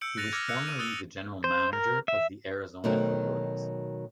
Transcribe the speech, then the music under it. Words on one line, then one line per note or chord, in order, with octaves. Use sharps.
He was formerly the General Manager of the Arizona Coyotes.
E6 G6 C#7 D7 F#7
F#6 A6 A#6 C#7 D#7 F7
D6 E6 F6 G#6 A#6 C#7
E6 F#6 A#6 C#7 F7
D#7
D#6 E6 F#6 A6 F7 G7
C5
A#4
E5
B2 D#3 F#3 A3 C4 A#4